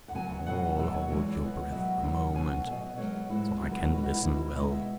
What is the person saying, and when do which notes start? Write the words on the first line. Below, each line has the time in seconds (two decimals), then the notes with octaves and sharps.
Now all hold your breath a moment so I can listen well.
0.08 F#5
0.14 F#2 C#3 F#3 B3 G#5
0.46 B2 F#3 B3 F#5
0.78 B2 F#3 B3 E5
0.94 C#5
1.09 E2 E3 G#3
1.41 B2 B3
1.72 B2 F#3 B3 E5
2.00 E5
2.03 F#2 C#3 F#5
2.35 B2 F#3 B3 G#5
2.66 B2 B3 E5
2.98 F#2 C#3 G#3 B3 C#5
3.30 G#2 G#3 B3 E4
3.61 E2 C#3 F#3 B3 F#4
3.72 B4
3.83 C#5
3.92 B2 G#3 B3 B4
4.03 F#4
4.13 E4
4.24 B2 B3 E4
4.55 B2 G#3 B3
4.72 E5